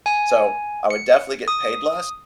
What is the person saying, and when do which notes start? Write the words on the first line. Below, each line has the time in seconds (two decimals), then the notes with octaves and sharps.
so I would definitely get paid less,
0.06 G#5
0.90 C#7
1.48 D#6